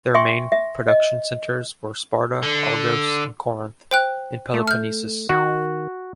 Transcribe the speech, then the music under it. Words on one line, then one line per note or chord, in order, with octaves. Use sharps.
Their main production centres were Sparta, Argos and Corinth, in Peloponnesus.
E5 G5 G#5 C6 C#6
E5
D#5
D3
C5 G5 F#6
A3
F6 G6
D#3 F#4